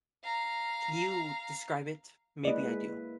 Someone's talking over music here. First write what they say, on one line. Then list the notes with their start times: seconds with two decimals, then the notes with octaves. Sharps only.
Can you describe it? Maybe I do.
0.24 F5 A#5
2.45 G#3 A#3 E4 B4 D5 D#5